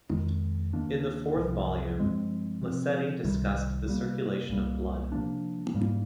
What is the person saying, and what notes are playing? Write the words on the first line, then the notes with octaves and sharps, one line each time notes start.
In the fourth volume, Liceti discussed the circulation of blood.
F2 D#3 G#3
D#2 D#3 A#3 D4
C2 C3 F3
G2 F3 G#3 C4
C3 F3 C4
C2 C3 D#3 G3
C3 G3 A#3
C2 A#2 G3 A#3
C3 F3 A#3 D4
G#2 G3 A#3